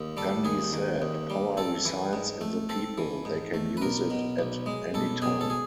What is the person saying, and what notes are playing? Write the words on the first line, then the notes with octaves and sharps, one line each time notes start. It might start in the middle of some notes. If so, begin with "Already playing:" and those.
Gandhi said: Power resides in the people, they can use it at any time.
Already playing: D#2
G3 A4
D#2 G#4
D#3
D#2
G3
C4 A4
E3
G#2
A3
C4 A4
E3
G#2
A3
B4
B1 A#4
B2
B1
G#3
B1 A4
B2 G#4
A4
G#4